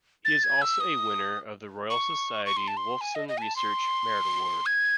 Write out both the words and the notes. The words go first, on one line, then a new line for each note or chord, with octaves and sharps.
He is also a winner of the Royal Society Wolfson Research Merit Award.
A6
G#6
E6
D#6
C#6
C#6
C6
A5
C6
G#5
D#5
D#5
G#5
A5
C6
G#6